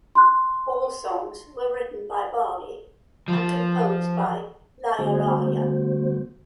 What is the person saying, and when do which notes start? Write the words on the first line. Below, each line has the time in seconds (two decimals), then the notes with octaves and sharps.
All songs were written by Vaali and composed by Ilaiyaraaja.
0.15 C6 F#6
3.28 F3
4.99 D3 G3 A3 B3 F#4 C5